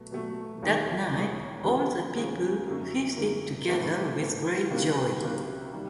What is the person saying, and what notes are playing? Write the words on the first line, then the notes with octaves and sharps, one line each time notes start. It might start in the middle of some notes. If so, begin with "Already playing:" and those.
That night, all the people feasted together with great joy.
Already playing: B2 F#3 A3
B2 F#3 A3
E1 D#2 D#3 G#3
E1 D#2 D#3 G#3
D#2 C#3 F3 G#3 C4
D#2 C#3 F3 G#3 C4
F#2 D3 F#3 A#3 D#4
F#2 D3 F#3 A#3 D#4
G#2 E3 A3 C4 E4
G#2 E3 A3 C4 E4
C#2 C3 D#3 F#3 A#3
C#2 C3 D#3 F#3 A#3
D#3 G3